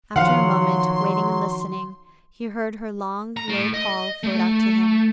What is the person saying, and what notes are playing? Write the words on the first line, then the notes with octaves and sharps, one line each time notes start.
After a moment, waiting and listening, he heard her long, low call float out to him.
D#3 F3 F#3 F5 F#5 C6
A#5
A2
D#5
A3